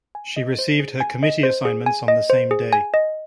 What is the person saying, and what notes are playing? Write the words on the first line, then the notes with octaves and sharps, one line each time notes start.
She received her committee assignments on the same day.
G#5
D#5
C5
G#4
G#5
D#5
C5
G#4
G#5
D#5
C5
G#4
G#5
D#5